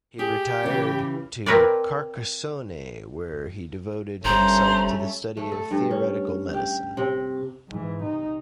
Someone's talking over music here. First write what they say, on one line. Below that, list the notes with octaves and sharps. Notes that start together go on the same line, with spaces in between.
He retired to Carcassonne, where he devoted himself to the study of theoretical medicine.
G4 G#4
C#3 E3
C4 A#4 B4 C#5 D5
G1 G3 A3 C#4 C5 A#5
A3
A4
G2
C#4
G4
C3
G#2 E3
C3 D#4